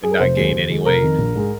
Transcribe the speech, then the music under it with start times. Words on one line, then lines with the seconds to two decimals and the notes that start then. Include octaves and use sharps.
and not gain any weight.
0.03 G#4
0.11 A#4
0.19 F1 C5
0.36 D#2 D#3 G#3
0.52 D#2
0.69 D#3 G#3
0.86 F1 A#4
1.02 F2 D#3
1.18 A#1
1.34 G#2 G#3